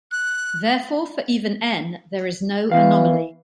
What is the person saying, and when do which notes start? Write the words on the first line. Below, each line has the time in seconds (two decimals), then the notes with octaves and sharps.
Therefore for even "n" there is no anomaly.
0.12 F#6
2.71 E2 E3 F5